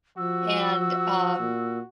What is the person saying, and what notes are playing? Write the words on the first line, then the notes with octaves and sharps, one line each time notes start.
And, um
F3 F#4 E6
A#2